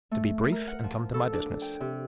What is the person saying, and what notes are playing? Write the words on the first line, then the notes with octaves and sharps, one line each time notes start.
To be brief and come to my business.
A3
A#4
F#5
F3
A4
D4
G5
C3